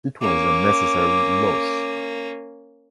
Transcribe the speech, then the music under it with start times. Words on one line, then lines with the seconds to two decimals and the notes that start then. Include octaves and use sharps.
It was a necessary loss.
0.21 A#3 C#4 D6